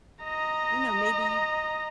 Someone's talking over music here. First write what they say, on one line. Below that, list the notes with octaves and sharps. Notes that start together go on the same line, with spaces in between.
you know, maybe you
D#5 A#5